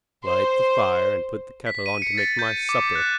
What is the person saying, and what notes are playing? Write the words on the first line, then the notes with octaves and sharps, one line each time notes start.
Light the fire, and put the kettle on to make my supper.
C5
B6
D#7
C#7
A6
G6
D6
F#6